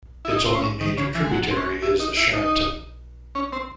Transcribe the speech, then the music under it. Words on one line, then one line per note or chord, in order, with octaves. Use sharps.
Its only major tributary is the Charentonne.
E4
D#4
C4
C#4
D#3
C#3
E3
G#3
F#3
C4
C#4
E4
D#4
E4
D#4
C#4
C4